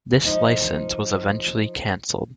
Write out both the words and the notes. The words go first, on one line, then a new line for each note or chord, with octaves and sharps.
This license was eventually canceled.
F3 D#4